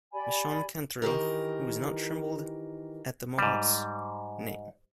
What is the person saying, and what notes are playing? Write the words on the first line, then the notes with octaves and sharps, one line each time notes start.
Meshon Cantrill, Who has not trembled at the Mohocks' name?
G4 D5 G#5 B5
D#3 E3 G4 A#4
G#2 G3